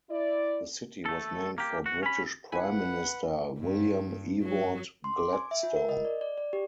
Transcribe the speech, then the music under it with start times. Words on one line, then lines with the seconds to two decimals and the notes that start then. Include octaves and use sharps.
The city was named for British Prime Minister William Ewart Gladstone.
0.10 E4 D5
1.06 A3 A4
1.58 A#3 G4
1.86 F#4
2.03 C#4 B5
2.52 E4 B4 F#5 G#5 B5
3.59 G2
4.43 F#3
5.04 C6
5.17 D6
5.33 G#5
5.51 E5
5.63 F4
5.76 A#4
5.89 D#5
6.05 D5
6.21 D5
6.38 D5
6.53 G4